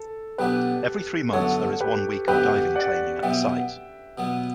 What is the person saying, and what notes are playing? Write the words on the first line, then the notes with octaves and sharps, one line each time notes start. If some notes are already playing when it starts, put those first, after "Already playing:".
Every three months there is one week of diving training at the site.
Already playing: A4
B2 F#3 B3 D4 G4 B4
F#2 D3 F#3 B3 A4 C#5
G4 B4
F#2 D3 F#3 B3 G4 B4
D5 F#5
B2 F#3 B3 E5 G5
B2 F#3 B3